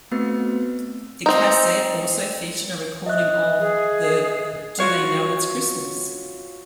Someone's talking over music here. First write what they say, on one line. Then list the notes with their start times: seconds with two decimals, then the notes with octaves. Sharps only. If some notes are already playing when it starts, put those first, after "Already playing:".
The cassette also featured a recording of the Do They Know It's Christmas?
0.11 A3 B3 C4 F#4 B4
1.26 C4 D#4
3.06 D#5 E5 F#6
3.60 G#4
4.79 F4 F#4 C#5 F5